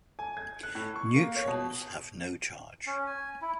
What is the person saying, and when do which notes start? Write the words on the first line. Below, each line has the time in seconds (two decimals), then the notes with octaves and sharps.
Neutrons have no charge.
0.19 G#5
0.37 G#6
0.63 F#6
0.75 A2
0.96 C#6
1.16 A#3
1.36 C#5
1.48 B2
2.87 C#4
3.07 G#5
3.42 E4